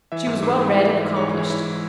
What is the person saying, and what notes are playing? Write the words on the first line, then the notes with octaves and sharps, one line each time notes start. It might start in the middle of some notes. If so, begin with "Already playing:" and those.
She was well read and accomplished.
E3 E5
G#2
G#2
G#3
E3
G#2
G#2
C#5
G#3
C#5
E3 E4
G#2 E4